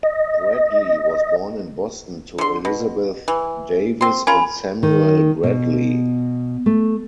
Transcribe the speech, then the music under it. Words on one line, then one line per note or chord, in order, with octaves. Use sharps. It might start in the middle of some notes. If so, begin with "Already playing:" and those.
Bradlee was born in Boston to Elizabeth Davis and Samuel Bradlee.
D#5
D3 C6
B2
E3
C4 C6
C#4 F4 A#4 G#5 B5
D#3
B2
A3